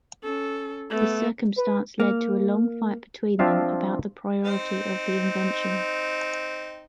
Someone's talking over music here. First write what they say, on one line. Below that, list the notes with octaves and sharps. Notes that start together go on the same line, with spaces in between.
This circumstance led to a long fight between them about the priority of the invention.
C#4 A4
A3 B3
B4
A#3
F3 C4 D4 F4 E5 F5
C4 D#4